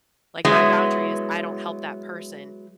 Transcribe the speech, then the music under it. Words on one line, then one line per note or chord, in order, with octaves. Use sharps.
Like, my boundary is I don't help that person,
F#3 G#3 B3 E4